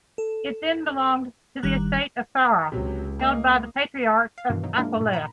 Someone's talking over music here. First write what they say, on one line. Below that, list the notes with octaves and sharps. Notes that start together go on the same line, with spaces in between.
It then belonged to the estate of Farra, held by the Patriarchs of Aquileia.
A4
G1 D#3 G3 A#5 F#6
C#2 C3 F#3
A#3 D#5
F5
G2 B2 D#3 E3
B2 F#3 D#4
G#3 A#3 D4 E4 F4 A#4
G2 A#2
A#5 B5